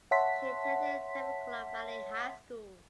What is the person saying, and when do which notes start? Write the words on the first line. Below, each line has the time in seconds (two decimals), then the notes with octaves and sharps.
She attended Temecula Valley High School.
0.11 C#5 E5 F#5 A5 C6 B6